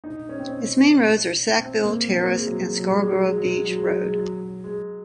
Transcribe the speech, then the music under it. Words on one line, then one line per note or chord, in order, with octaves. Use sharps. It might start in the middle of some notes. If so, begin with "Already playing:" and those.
Its main roads are Sackville Terrace and Scarborough Beach Road.
D#4
C#4
C4
C#4
C4
A#3
C4
A#3
G#3
F#3
G#3
F#3
G#3
F#3
G#3
F#3
G#3
F#3
G#3
F#3
G#3
F#3
G#3